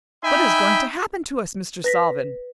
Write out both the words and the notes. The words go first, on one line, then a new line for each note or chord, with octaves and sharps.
What is going to happen to us, Mr. Salvin?
D#4 E5 G5 G#5 B5
B4 A#6 B6